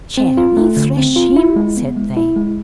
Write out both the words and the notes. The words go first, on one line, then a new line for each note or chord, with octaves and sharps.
"Shall we thrash him?" said they.
C4
F4
A3
D3
C4
F4
E4
G#3
B3
G#3
E4
G#3